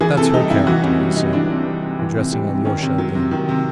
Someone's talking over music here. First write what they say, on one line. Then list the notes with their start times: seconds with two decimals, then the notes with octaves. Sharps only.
"That's her character," he said, addressing Alyosha again.
0.01 E3 G#4
0.17 C3 A4
0.34 G3 D#4
0.50 C3 E4
0.67 E3 F#4
0.83 C3 C#4
1.00 G3
1.16 C3 D#4
1.33 E3 D4
1.50 C3
1.66 G3
1.83 C3
1.99 E3
2.16 C3
2.33 G3
2.49 C3
2.65 D#3 C#4
2.82 C3
2.98 F#3
3.15 C3
3.31 D#3
3.49 C3